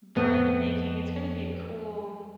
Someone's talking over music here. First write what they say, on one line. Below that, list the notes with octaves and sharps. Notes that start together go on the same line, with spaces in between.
bread making, it's gonna be a cool,
F2 B3